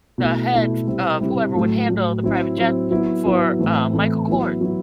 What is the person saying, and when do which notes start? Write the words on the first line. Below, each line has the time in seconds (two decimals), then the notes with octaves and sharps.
the head f of whoever would handle the private jets for, uh, Michael Kors
0.18 B2 A3 E4
0.52 B2 A3 E4
0.86 C3 G3 C4 E4
1.21 C3 G3 C4 E4
1.55 A2 F#3 A3
1.89 A2 F#3 A3
2.23 F#3 C4 E4
2.57 F#3 C4 E4
2.91 F#3 B3 E4
3.26 F#3 B3 E4
3.59 A2 E3 A3 C4 E4
3.93 A2 E3 A3 C4 E4
4.27 F#3 B3 E4
4.61 F#3 B3 E4